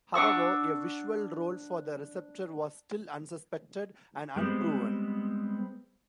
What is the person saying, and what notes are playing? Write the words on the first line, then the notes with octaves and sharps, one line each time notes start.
However a visual role for the receptor was still unsuspected and unproven.
D4 F#5 C#6 E6
G3 G#3 B3 C4